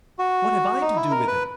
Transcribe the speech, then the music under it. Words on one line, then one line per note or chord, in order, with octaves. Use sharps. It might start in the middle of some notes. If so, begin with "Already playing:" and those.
"What have I to do with it?"
F#4
D#4
E4
A#4
B4